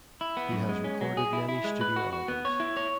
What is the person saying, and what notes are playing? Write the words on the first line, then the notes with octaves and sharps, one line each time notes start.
He has recorded many studio albums.
E4
B3
F#2
G#3
C#4
F#3
G#4
E4
E4
G#3
B4
F#4
F#4
B3
C#5
E4
C#5